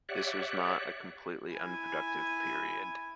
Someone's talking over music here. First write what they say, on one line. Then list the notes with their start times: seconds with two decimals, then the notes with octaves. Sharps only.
This was not a completely unproductive period.
0.09 G4 C#5 D5 E5 F#5 F#6
1.52 E4 G#5